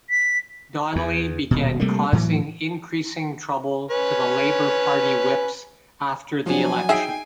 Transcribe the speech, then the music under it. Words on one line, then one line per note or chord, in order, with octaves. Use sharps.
Donnelly began causing increasing trouble to the Labour Party whips after the election.
B6
E2
D#1 B2
C3 G3 A3 A#3
A2 E3 F#3
C#4 B4 C#5
F3 F#3 D4 G#5
D#4 G#4 E5 G5 C7 D7